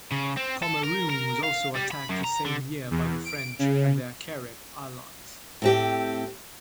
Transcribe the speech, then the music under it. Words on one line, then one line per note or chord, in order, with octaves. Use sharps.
Pomeroon was also attacked the same year by the French and their Carib allies.
C#3
C4
A4
A#4
A#4
F5
G3
B5
F#2
A#5
D3
E2
D7
C#3
A2 C4 G4